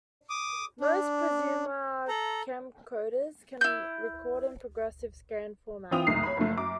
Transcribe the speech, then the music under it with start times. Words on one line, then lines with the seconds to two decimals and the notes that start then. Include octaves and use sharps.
Most prosumer camcorders can record in progressive scan formats.
0.30 D6 D#6
0.81 D4
2.08 A4 A#5
3.61 E4 G6
5.91 E3 C4 F4 G5 D#6 F7
6.07 F#1 C2 A3 D#4 D#6 C7
6.23 C#5 B5
6.37 F#1 F3 A3
6.57 F#2 D6